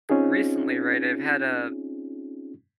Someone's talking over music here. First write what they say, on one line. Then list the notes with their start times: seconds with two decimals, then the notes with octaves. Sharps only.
recently, right, I've had a
0.10 C4 C#4 D#4 F4 G#4